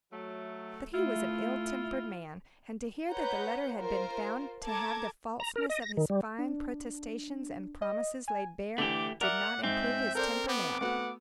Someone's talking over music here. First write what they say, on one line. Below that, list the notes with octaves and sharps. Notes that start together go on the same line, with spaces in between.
But he was an ill-tempered man; and to hear that the letter had been found to have the falseness of his fine protestations and promises laid bare, did not improve his temper now.
F#3 A3
A3 E4 F4
B4 C#5 F#5 A#5 G6
F4 A#4 C5
A4 A5 A#5 D6 G#6
A#5
A#4
D#5
A#6
D#3
G3
D4
D#5
G#5
D3 E3 A3 G4 D6
A#4 D5 E5 F#5 D6
G#2 C4 E5 G6
A4 A#4 C5 D5
B3 D6
A3 B3 F#4 F#5